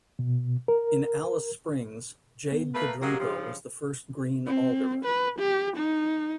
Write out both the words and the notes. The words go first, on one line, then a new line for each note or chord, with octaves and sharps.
In Alice Springs Jade Kudrenko was the first Green Alderman.
B2
A#4
B3
A3 A#3 B4
A#5
F#3 G#3 A#3 G4
G2 C#3 F3
C4
B4
G4
D#4